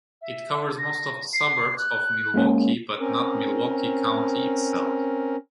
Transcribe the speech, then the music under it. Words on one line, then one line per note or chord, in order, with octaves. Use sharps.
It covers most of the suburbs of Milwaukee, but not Milwaukee County itself.
E5
A#6
C7
F#6
G#3 A#3 C#4
C4 C#4 A#4